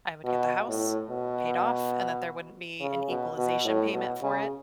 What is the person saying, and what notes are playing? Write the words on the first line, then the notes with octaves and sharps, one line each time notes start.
I would get the house, paid off, and that there wouldn't be an equalization payment for it.
B2
A2
B2
C#3
B2
B2
A2
B2
C#3